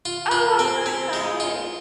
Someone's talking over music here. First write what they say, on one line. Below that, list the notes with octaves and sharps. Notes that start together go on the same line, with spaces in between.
Oh, I'm so excited.
F4
F4
C4
C4
G#3
F4